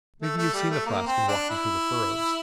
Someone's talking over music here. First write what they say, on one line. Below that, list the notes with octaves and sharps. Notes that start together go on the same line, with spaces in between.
Maybe you've seen a flask in walking through the furrows?'
A3
A3
G3
A3
A#3
C4
D4
E4